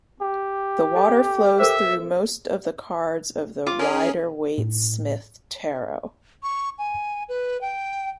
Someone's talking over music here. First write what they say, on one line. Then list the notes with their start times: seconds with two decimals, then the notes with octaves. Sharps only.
The water flows through most of the cards of the Rider-Waite-Smith Tarot.
0.22 G4
0.95 A4 D#5 G#5
1.60 A4 A#4 C5 E5
3.67 F4 D6
3.79 C#4 G#4 A#4
4.58 A2
6.43 C#6
6.79 G#5
7.29 B4
7.61 G5